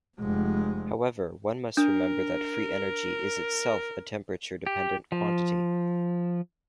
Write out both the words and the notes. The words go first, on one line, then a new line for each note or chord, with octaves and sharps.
However, one must remember that free energy is itself a temperature dependent quantity.
F1 G#3
D4 A#4
G4
F3